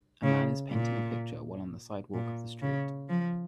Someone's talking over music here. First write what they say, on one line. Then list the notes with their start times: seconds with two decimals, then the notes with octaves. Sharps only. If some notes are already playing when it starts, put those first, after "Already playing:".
A man is painting a picture while on the sidewalk of the street.
0.23 C#3
0.71 A#2
2.14 A#2
2.62 C#3
3.09 F3